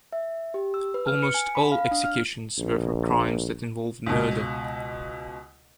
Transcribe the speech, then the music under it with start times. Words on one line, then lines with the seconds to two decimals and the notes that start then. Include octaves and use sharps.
Almost all executions were for crimes that involved murder.
0.13 E5
0.54 G4
0.74 E6
0.94 B4
1.07 F6
1.23 C#7
1.34 G#5
1.55 B5
1.72 F5
1.91 D4
2.04 F6
2.58 A#1
4.06 C#2 B2